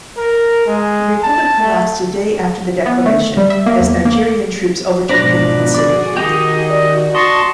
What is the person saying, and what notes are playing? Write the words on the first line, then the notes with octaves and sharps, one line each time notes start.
The republic collapsed a day after the declaration as Nigerian troops overtook Benin City.
A#4
G#3
A5
A3
B3
A3
G3
E5
A#3
E2
A#3
G#2 B2 F3 D4 B4 C5 A#5 A#6
F#4 G#4 D5 D6
D#3 D#4 G4 D#5
F#4 D5
D#5 A5 C6 C#6